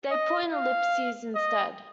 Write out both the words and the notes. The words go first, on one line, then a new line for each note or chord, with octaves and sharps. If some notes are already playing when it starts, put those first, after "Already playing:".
They put in ellipses instead.
D#5
F5
D#5